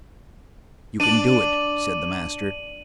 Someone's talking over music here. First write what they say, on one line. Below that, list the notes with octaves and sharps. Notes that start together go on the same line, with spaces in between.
"You can do it," said the master.
D4 D#7 F#7